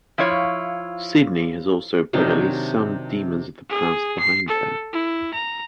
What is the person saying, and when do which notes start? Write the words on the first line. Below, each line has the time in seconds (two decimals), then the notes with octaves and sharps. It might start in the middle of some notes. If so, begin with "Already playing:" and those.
Sydney has also put at least some demons of the past behind her.
0.18 F3 E4 F4 C#5
2.13 C3 D#3 F#3 D4
3.69 G#4
4.20 C7
4.48 A4
4.93 E4
5.34 A#5